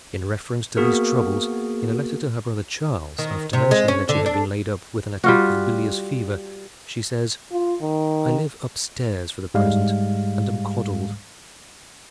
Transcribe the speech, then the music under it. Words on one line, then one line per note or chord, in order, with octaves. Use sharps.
In reference to these troubles in a letter to her brother Charles, after mentioning that she had been laid up with an attack of bilious fever, she says: 'I live up stairs for the present and am coddled.
A#3 B3 F#4 G#4 A#4
D#3
C3
G#3
C#4
D3
D4
G3 F4 F#4
F4
D#3
G#2 G3 G#3 F5